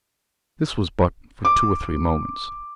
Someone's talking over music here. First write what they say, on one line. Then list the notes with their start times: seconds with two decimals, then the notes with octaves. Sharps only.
This was but for two or three moments.
1.45 D6